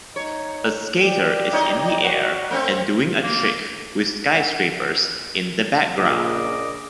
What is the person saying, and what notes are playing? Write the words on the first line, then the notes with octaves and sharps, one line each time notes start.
A skater is in the air and doing a trick with skyscrapers in the background.
D#4 C#5
D5 G5
D#4 C#5 D#5
F#4
A3 C4 C#4
A#3
F#5
A#1 A#2 C#3 D#5 D6